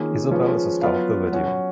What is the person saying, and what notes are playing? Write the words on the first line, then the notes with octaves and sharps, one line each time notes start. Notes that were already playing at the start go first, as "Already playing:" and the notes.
Isabel is the star of the video.
Already playing: D#3 A#3 C#4 F4 G#4
F3 G#3 C#4 F4 B4
F#3 B3 F4 B4 F5
F#3 C#4 F#4